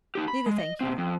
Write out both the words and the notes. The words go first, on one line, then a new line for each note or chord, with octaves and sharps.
"Neither, thank you."
D#4 G4
B5
G#3
D#5
B2 C4
F2